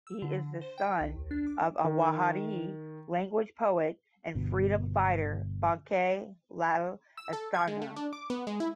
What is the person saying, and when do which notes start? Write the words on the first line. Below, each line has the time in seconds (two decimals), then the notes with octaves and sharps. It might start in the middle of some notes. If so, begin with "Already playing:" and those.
He is the son of Awadhi language poet and freedom fighter Banke Lal Asthana.
0.07 E6
0.22 D3
0.61 C5
0.78 G5
1.01 C2
1.16 D#2
1.31 D4
1.47 D6
1.84 D#3
4.35 G1 B2
7.17 E6
7.33 A4
7.54 G#6
7.67 G#3
7.82 A3
7.96 D4
8.13 D6
8.30 B3
8.47 G#3
8.60 E4